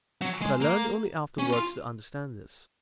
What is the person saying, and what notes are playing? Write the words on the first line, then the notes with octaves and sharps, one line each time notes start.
But I learned only afterwards to understand this.
F#3
G#3
A#3
C#4
F4